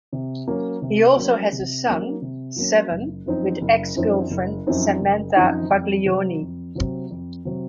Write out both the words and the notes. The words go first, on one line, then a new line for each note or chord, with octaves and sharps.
He also has a son, Seven, with ex-girlfriend Samantha Baglioni.
C3
F#3 A#3 C#4
C3
F#3 A#3 C#4
C3
F#3 A#3 C#4
C3
F#3 A#3 C#4
F#1
F#2 F3 C4 D#4
F#1
F#2 F3 C4 D#4
F#1
F#2 F3 C4 D#4
F#1
F#2 F3 C4 D#4
F2
C3 F#3 C4
F2
C3 F#3 C4
F2
C3 F#3 C4